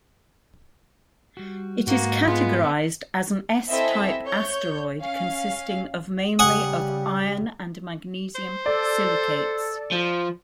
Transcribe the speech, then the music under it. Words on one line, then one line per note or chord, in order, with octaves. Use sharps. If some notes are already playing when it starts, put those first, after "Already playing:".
It is categorized as an S-type asteroid consisting of mainly of iron- and magnesium-silicates.
G3 F#4
G#2 A#3 F#4 B4
G#3 B3 F4
C4 E4 A4 D#5 E5 G#5
C#5 G6
C#4 F5
C#3 G3 F#5 G#5 D#6
C5
A4 D5
F3